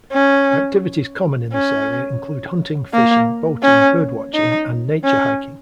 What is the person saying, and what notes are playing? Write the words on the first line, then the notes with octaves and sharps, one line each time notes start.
Activities common in this area include hunting, fishing, boating, bird watching and nature hiking.
C#4
C#4
A#3
C#4
D#4
C#4